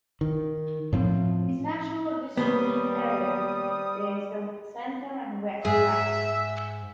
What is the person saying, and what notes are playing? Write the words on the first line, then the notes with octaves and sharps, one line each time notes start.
Its natural distribution area is the center and west of Africa.
D#3
A2 F3 C4
D#2 G3 B3 C5 C#5 D#6
G#2 G#4 E5